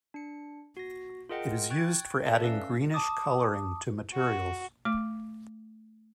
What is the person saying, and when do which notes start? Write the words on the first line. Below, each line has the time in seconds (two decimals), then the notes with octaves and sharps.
It is used for adding greenish coloring to materials.
0.14 D4 C#7
0.77 F#4 A#6
1.29 F4 G#4 A#4 D#5 F#5 G5
1.70 G5 C#6 F#6 G#6 A6
2.26 A4 B4 D5 E5 A5
2.42 C#4 F5 E6
2.94 A5 D6 D#6
4.14 F#4
4.85 A3 D6